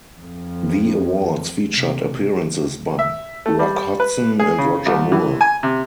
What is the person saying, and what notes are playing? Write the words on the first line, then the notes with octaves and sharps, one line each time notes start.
The awards featured appearances by Rock Hudson and Roger Moore.
F2
C3
E5
A3
G3
B4
G#4
C#3
C2
E3
G#5
C3